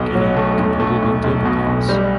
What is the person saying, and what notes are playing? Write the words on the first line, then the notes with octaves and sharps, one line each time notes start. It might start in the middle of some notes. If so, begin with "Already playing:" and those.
Guinea competed in table tennis.
Already playing: B1 B2
F#3
A3
B1
A3
B1
B1
B2
B1
G3